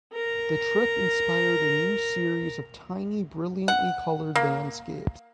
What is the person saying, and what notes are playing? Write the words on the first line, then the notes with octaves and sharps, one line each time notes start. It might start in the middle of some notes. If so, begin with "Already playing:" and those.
The trip inspired a new series of tiny, brilliantly coloured landscapes.
A#4 A#5
F#5
A#3